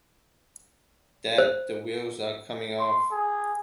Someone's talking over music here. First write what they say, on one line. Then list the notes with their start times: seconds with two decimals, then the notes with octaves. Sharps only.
That the wheels are coming off.
1.38 C5
2.79 C6
3.11 G#4